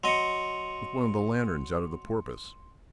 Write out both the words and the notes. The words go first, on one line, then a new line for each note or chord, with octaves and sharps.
"With one of the lanterns out of the Porpoise."
F#3 D#5 C6 C#7